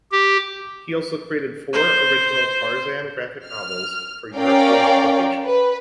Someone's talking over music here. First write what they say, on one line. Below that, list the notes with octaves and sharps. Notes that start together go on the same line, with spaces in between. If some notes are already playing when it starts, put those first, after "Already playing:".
He also created four original Tarzan graphic novels for European publication.
G4
C5
F6
C#4 A#4 D5 F5 G5
B4